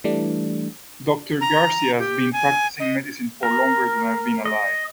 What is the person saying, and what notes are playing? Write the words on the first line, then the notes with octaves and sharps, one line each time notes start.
Doctor Garcia has been practicing medicine for longer than I have been alive.
E3 G3 A3 D4
A#5
G4
G#5
D#5
A#4
D#5